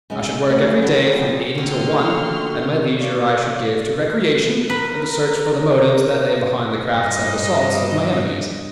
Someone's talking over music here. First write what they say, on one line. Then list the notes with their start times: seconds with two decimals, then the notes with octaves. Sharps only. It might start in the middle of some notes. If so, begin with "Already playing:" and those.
I should work every day from eight until one, and my leisure I should give to recreation and a search for the motives that lay behind the crafts and assaults of my enemies.
0.10 C#3 F#3 G#3 G#5
0.48 A3 B3 C#4 F#4 A#4
0.82 B3 C#4 G4 A4 D5
0.98 F4 F#4 A#4
1.14 F#3 C4 G#4
1.58 D3 A3 A#3 F#4 G5 C6 F6
3.00 A#3 C#5 D5
4.70 A#4 B4
6.75 G2 D#5